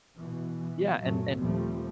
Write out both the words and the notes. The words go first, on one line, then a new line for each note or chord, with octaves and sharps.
yeah, and and
B2 E3
F#2 A#2 F#3 A3
D#2 A#2 F3 G3 A3 C4